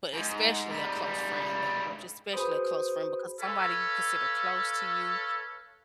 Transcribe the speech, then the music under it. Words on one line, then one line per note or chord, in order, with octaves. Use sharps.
but especially a close friend, though. Just especially a close friend because somebody you consider close to you.
G#2
G#2 G3
F#4 G#4 B4 C5 B5 D#6
A4 B4 C#5 F5